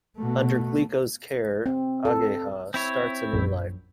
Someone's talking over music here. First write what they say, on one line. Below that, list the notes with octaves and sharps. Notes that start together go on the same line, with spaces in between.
Under Glico's care, Ageha starts a new life.
B2 A3
C4
A4
C4 E4 C#5
A#1 F#2